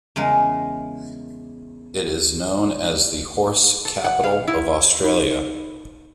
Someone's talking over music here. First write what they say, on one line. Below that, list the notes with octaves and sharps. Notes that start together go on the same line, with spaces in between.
It is known as the 'Horse capital of Australia'.
E2 C#3 G#3 A#4
A4
F#5
F5
E4
D#4 B5